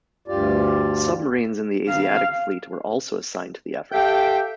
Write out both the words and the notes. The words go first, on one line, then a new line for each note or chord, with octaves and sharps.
Submarines of the Asiatic Fleet were also assigned to the effort.
D2 G2 F4 G4 D5
F5
G4 A4 E5 F5 G5